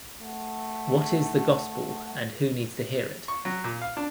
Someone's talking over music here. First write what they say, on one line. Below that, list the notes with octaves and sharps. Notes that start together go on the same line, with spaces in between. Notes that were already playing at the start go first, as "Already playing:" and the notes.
What is the gospel and who needs to hear it?
A3 F#5
C#6
F#3
A#2
F5
D4